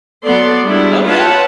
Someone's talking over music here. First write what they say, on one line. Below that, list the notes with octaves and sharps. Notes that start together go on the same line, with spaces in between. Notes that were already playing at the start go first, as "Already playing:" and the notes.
Oh, yeah.
F#3 B3 A4 D5 C6
G3 G#3 B3 D4 E4 F#4
F4 B4 C#5 E5 F#5 A5